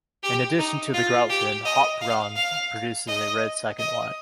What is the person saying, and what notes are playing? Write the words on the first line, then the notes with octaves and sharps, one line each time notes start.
In addition to the "grand vin", Haut-Brion produces a red second wine.
G4
D#4
F4
G4
D#5
F5
F5
D#5
D#5